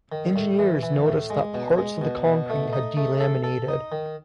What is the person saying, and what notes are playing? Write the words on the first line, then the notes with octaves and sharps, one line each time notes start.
Engineers noticed that parts of the concrete had delaminated.
D#3
A2
E3
E3
A2
G#3
B2
G#3
B2
B2
A3
D#4
A3
A4
A4
D#4
D#3